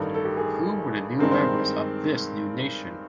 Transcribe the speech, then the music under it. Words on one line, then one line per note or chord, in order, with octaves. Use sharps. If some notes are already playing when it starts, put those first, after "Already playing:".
Who were the new members of this new nation?
Already playing: A1 G2 D#3 A4
A4
G4
G#4
G2 D#3 G#3 C4 A#4
C5